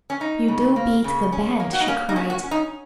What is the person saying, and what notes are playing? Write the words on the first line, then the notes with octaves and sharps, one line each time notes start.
"You do beat the band!" she cried.
C#4
C#4 D#4
C#3
A#3
C#3
C#4
A#3
F#4
D#4
A#3 C#4
D#4
C#4
F#4
C#4
D#4